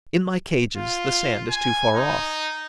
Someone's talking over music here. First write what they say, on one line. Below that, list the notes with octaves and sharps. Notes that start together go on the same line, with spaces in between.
In my cages, the sand is too far off.
F4
G#5
D#4